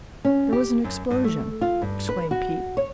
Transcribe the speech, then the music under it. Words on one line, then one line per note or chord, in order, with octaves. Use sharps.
"There was an explosion!" exclaimed Pete.
C#4
G4
F#2
G2
A3
F4
G2
B4
F#4
C#5